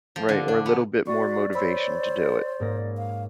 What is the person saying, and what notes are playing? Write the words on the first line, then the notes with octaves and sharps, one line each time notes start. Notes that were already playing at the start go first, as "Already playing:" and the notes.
Right? Or, a little bit more motivation to do it.
F3
D3
D4
B3
F#4 D5 C#6
C5 C#5 B5 E6
G#2 A#3 A#6
F5